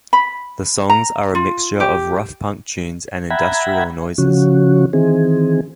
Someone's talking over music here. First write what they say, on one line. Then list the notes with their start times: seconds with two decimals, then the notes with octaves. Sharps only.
The songs are a mixture of rough punk tunes and industrial noises.
0.13 B5
0.90 A#5
1.35 F4
1.80 G4
3.30 E5 F#5 G5 A#5 B5 G#6
4.18 C#3 F3 C#4 F#4
4.93 D#3 E3 C4 G#4